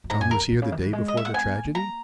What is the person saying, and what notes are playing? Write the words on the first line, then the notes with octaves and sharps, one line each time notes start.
"Tom was here the day before the tragedy?"
F#2
G#2 A#5
F#2 G#5
E2 A#4
F#2
A#2
C#3
D#3
F#3
E3
G#3
D#5
E5
F#5
B3 G#5
B3
A#3
A#3
A#5